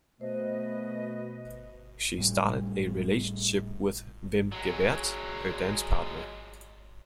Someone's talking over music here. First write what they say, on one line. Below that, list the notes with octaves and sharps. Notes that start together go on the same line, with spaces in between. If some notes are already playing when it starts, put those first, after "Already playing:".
She started a relationship with Wim Gevaert her dance partner.
B2 A3 B4 C5 D#5
A2 G3
F#3 G#3